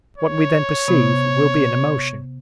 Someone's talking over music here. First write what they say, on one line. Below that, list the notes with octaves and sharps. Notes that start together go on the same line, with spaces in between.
What we then perceive will be an emotion.
C#5
C3 B3